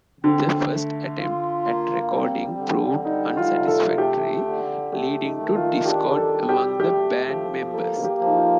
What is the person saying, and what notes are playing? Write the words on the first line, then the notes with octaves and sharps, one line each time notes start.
The first attempt at recording proved unsatisfactory, leading to discord among the band members.
D3 C4
A3
F4
A#3
G3 C4
D3
G3 D#4
F4
C3
A4
A3 G4
D3
A3 G4
D#4
D#3
F4
D4 G4
A4
G3
G4
A3 G4
F3
A#3 A4
G4
F3
D#4
F4